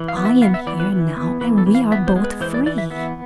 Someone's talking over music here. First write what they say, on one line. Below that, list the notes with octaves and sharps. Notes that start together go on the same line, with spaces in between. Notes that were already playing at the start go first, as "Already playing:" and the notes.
I am here now and we are both free.
Already playing: E3
F5
B3
E5
B3 F5
E5
E3 D5
B4
E3
B3
E3 B4
A4
E3
F5
B3 E5
C5
G#3
B4
E3 C5
D5
E3 D5
E5
B3 E5